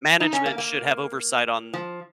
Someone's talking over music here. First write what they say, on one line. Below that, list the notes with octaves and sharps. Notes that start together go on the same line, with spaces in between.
Management should have oversight on
D#4
C#4
A#3
A#3
F3